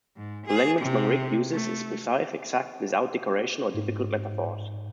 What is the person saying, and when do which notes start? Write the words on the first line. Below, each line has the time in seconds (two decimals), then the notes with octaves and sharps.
The language Manrique uses is precise, exact, without decoration or difficult metaphors.
0.17 G#2
0.46 G#4
0.81 C3
1.52 A3
3.74 G#2